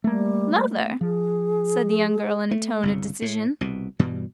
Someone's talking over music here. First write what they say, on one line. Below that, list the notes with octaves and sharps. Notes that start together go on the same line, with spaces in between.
"Mother!" said the young girl in a tone of decision.
G3 A3 A#3
F3 G#4
A3
G1 C2 C#3
A2
C2 B2
G2 B2 E3 G3